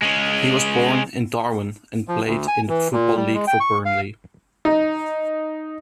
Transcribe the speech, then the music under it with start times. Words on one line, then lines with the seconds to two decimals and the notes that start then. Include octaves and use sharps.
He was born in Darwen and played in the Football League for Burnley.
0.02 G#3 C#4
2.08 F3
2.26 D2
2.48 G#5
2.69 E3
2.92 A#2
3.16 G3
3.34 G#3
3.47 G5
3.60 C#6
3.85 F5
4.65 D#4